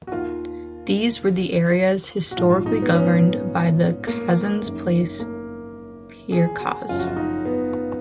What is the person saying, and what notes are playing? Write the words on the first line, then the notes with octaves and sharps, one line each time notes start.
These were the areas historically governed by the Kazan Palace's Prikaz.
F#4
D#2 D#3 F4
F#4
A#1 G#2 F3 F4
D#4
B3
C#4
A#3
F#1 F#2 D#3
A#3
G#4
F#4
F#1 F#2 C#3 F3 F4
F#4
F4
D#4
B3